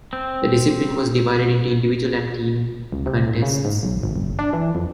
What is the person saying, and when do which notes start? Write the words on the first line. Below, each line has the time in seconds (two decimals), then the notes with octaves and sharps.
The discipline was divided into individual and team contests.
0.13 C4
2.92 C#2
3.06 C3
3.27 A2
3.42 C#3
3.65 G#2
3.83 B1
4.03 G#1
4.16 F#1
4.39 D4
4.53 E3
4.75 F2